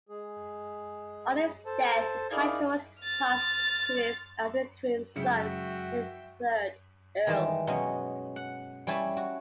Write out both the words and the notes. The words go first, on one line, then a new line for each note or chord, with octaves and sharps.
On his death the titles passed to his eldest twin son, the third Earl.
G#3 G#4
A4 C5 A5
D#4 E4 G#4 A#4 D5 F5
F6 A6
F#2 C#3 G#3 E4 F#4 E5 G5 C#7
D#3 E3 G3 G#3 A5
B2 F#3 G#3 C#4
F#5
G3 C#4 E4 G#5 A5 B5
F#4